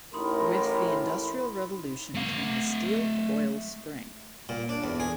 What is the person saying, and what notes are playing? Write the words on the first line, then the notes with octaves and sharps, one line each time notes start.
With the industrial revolution came the steel coil spring.
A1 A2 D#4 A#4 B5 C6
A3 F5
A#2
D4
E2
G#4